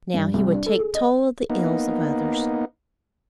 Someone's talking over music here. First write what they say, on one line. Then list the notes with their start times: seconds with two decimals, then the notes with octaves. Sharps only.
Now he would take toll of the ills of others.
0.14 G2
0.34 C2
0.53 D4
0.66 A4
0.79 G#4
0.95 D#5
1.50 A#3 B3 D#4